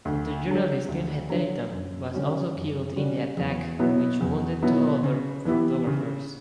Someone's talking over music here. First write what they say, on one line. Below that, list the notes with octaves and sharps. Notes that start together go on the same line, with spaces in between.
Photojournalist Tim Hetherington was also killed in the attack, which wounded two other photographers.
D2
D3 F#3
D2
D3 F#3
F#2
C#3 G3 C#4 F#4
F#2
C#3 G3 C#4 F#4
E2
B2 F#3 B3 E4
E2
B2 F#3 B3 E4
C#3
E3 B3 E4 G4
C#3